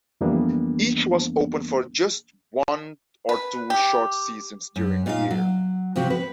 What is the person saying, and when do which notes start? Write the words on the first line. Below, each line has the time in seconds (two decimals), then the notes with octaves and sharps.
Each was open for just one or two short seasons during the year.
0.21 F2 E3 G3 A#3 B3 D4
3.29 B4
3.70 G4
4.76 F#2
5.06 A#2 D#4 F4 A4 F5
5.31 F#3
5.96 C3 F3 C4 F#4
6.10 B4